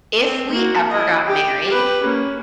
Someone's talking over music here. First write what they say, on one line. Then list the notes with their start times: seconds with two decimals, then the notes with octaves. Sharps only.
if we ever got married"
0.22 C4
0.52 A#3 F#4
0.91 E4 D#5
1.26 G4 G5
1.66 G4 B4
2.03 A#3 C#4